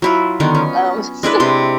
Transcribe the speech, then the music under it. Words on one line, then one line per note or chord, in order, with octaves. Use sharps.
um, so
F#3 E4 F4
D3 D#3 B3
C#4
G#3 D4 E4 B4
C3 C6